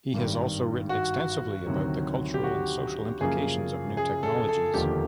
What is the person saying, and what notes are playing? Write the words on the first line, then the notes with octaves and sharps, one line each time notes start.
He has also written extensively about the cultural and social implications of new technologies.
G#1 G2 D#3 G3
F#4
D2 C3 D#3 F#3
G4
F#4
F#2 C#3 F3 A#3 G#4
G#4
A4
A4
E1 D#2 D3 F3 A#3 G4